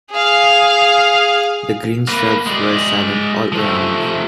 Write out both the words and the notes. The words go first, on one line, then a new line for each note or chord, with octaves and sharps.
The green shrubs were silent all around.
G#4 F5
A#3 B4
G#3 D5
F3 A3